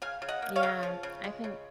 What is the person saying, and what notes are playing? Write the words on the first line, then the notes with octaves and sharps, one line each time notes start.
Yeah, I think
C#3 F5 G#5
C#3
D#5 F#5
A#3
C#5 F5
C#3
F3
C#3
G#3
C#3